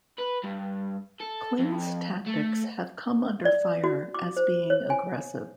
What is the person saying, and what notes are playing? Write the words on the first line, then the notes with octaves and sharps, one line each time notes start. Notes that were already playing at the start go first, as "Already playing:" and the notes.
Kling's tactics have come under fire as being aggressive.
B4
G2
A4
F2
A3
D5
F#4
D6
C5
C#5
G#5